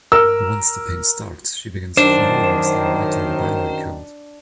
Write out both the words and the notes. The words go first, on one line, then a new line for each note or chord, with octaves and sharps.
Once the pain starts she begins furiously writing in binary code.
A#4 E6
F#2 D#3 D4 C5